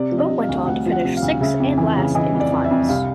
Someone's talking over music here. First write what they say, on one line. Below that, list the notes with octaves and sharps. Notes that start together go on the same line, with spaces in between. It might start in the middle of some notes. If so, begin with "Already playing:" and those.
The boat went on to finish sixth and last in the finals.
Already playing: C3 D5
F3
D#5
C3
F5
D2
D2 F#5
F3
F#5
C3
F5
D2
C#3 E5
F2
E3
C#3
E3 D#5
F2
D5
F2
E5
F2
C2 F5